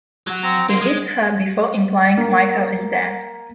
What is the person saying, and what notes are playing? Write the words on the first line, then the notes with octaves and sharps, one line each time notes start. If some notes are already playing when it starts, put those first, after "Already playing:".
He beats her before implying Michael is dead.
F#3 F#4
C4 A#5
A#3 C4 C6
G#3 D#6
A#3